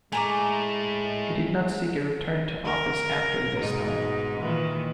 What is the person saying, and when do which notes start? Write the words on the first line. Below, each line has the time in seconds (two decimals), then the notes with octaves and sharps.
He did not seek a return to office after this time.
0.12 A2 G#3 A3 G#5 A#5 D6
2.65 A#4
3.59 G#2 B2 D#4
4.40 A#2 D#3 E3